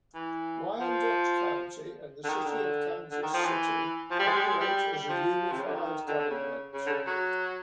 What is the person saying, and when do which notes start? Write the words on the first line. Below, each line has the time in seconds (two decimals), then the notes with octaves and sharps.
Wyandotte County and the city of Kansas City operate as a unified government.
0.15 E3
0.80 F3
2.24 D3
2.29 D#3
2.45 D3
3.11 D3
3.23 D#3
3.34 F3
3.45 E3
4.11 F3
4.19 G3
4.27 G#3
4.37 G3
4.44 G#3
4.60 G3
4.76 G3
4.93 G3
5.09 F3
5.52 C3
5.59 C#3
5.67 D3
5.75 D#3
6.07 D3
6.19 D3
6.30 C#3
6.73 C#3
6.86 D3
6.90 C#3
7.07 F#3